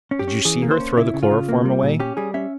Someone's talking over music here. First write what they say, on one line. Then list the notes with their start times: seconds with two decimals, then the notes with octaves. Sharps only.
"Did you see her throw the chloroform away?"
0.11 C#4
0.19 G4
0.28 C#4
0.45 E3 G#4
0.62 A#3
0.71 C5
0.80 C#4
0.97 C#3 E4
1.14 C#3
1.23 F4
1.31 C#3
1.49 A#3
1.65 G3
1.83 A#2
2.00 C#4 G4
2.17 G3 G#4
2.34 C#4 E5